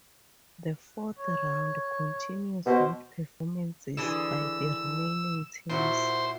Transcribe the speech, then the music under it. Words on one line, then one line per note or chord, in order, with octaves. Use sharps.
The fourth round continues with performances by the remaining teams.
C#5
B2 C5
D3 E3 G#4 E6
A#2 E4 F#4 C5